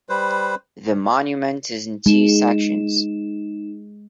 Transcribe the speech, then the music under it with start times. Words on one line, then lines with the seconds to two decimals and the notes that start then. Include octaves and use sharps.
The monument is in two sections.
0.09 G3 B4 C5
2.06 G#3 D#4 E7